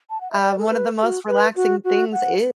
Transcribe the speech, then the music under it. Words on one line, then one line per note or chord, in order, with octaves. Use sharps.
Um, one of the most relaxing things, e
A5
F#5
E5
D5
A4
B4
A4
F#4
B4
F#4
F#4
F#5